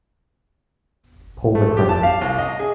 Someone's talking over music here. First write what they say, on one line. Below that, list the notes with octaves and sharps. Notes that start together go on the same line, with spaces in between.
Pull the crank.
A3
G4
A5
F5
C2
D#5
G#4